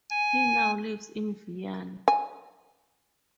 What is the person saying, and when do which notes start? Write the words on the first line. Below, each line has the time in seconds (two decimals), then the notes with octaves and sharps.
He now lives in Vienna.
0.10 G#5
2.08 G#5